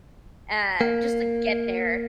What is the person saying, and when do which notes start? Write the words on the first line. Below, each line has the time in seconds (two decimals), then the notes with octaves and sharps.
uh, just to get there.
0.81 A#3